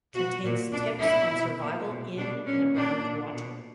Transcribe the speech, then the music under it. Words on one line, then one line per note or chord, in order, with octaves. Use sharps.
Contains tips on survival in and around water.
B2 F#4
A#2
B2 D4
B2 E4
B2
A#2
B2
B2 D4
A#2 C#4
A#2 D4
A#2
B2